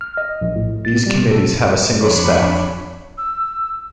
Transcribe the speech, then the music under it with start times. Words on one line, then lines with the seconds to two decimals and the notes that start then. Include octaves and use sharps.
These committees have a single staff.
0.01 F6
0.17 D#5
0.41 A#1
0.56 A2
0.85 A6
1.06 G3
1.18 B2
1.32 A4
1.98 F2 D4 C#5 B5
3.18 E6